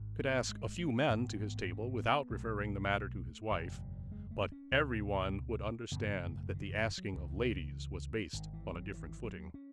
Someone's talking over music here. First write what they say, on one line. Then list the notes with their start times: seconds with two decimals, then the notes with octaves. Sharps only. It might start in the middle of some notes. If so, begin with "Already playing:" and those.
He could ask a few men to his table without referring the matter to his wife; but every one would understand that the asking of ladies was based on a different footing.
Already playing: G#1 G#2
0.19 B3
0.49 G#3
0.79 A3
1.09 A1 G#2 B3
1.40 B3
1.70 C#4
2.00 B3
2.30 B1 B2 A3
3.51 F#1 E2 B2
4.12 G#3
4.31 A3
4.52 C#4
4.71 C#2 B2
5.91 G#1 F#2 C#3 B3
6.23 A3
6.52 D#3
6.67 E3
6.83 D#3
6.98 F#3
7.13 C#2 C#3 E3
8.33 G#1 G#2 D#3
8.53 E3
8.74 F#3
8.94 E3
9.24 F#3
9.54 C#4